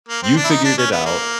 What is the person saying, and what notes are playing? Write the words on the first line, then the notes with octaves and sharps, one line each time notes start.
you figured it out,
A#3
C4
D4
E4
D#4
D4
C#4
B3
A#3